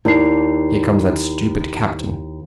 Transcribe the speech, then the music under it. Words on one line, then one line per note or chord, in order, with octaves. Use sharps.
"Here comes that stupid captain."
D#2 D4 E4 C7